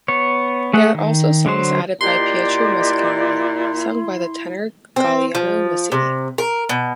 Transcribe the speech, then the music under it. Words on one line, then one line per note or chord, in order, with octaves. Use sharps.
There are also songs added by Pietro Mascagni, sung by the tenor Galliano Masini.
B3 C#5
A3 G#4 F#5
D#3
D3 F#3 C5
A#2 E4 G4 D5 D#5 C6
C4
F3
C3
A#4
B2